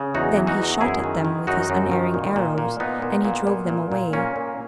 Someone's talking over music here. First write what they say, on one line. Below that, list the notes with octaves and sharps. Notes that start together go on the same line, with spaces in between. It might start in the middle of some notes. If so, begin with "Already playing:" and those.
Then he shot at them with his unerring arrows and he drove them away.
Already playing: C#3
E2 D#4 F#4
E3
D#4 F#4
E2
F#2 E4 G#4
D#3
D#3
F#2 D#4 F#4
F#2
D#3
A#2
A#2
A#2
A#2 B3 D#4
A#2
A#2
A#2
A#2
A#2
A#2 A#3 C#4
A#2